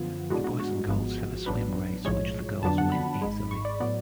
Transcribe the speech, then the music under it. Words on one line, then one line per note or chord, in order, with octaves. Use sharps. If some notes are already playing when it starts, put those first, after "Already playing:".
The boys and girls have a swim race which the girls win easily.
Already playing: F#2 D3 F3 B3 F4
A2 G#3 B3 D4 F#4
F#4
F#4
G#1 G#2 F3 G#3 B3
A1 G#2 F#3 B3 D4 B4
B1 A2 F3 G#3 C#5
F2 D3 F#3 B3 D4 A5
F#5
B5
G#1 G#2 G#3
C#6
D5
A2 F#3 B3 D5